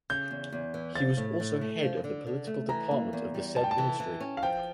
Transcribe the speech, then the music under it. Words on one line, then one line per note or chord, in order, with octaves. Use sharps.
He was also head of the Political Department of the said Ministry.
C#3 G6
E2
E2
E3
F3 A6
A2
A2
A3
F3
D3
D3
A3
E3 A#5
A#3
E2
G3
G3 A5
G5
A5
E3
E3
C#4
F5
F3 G5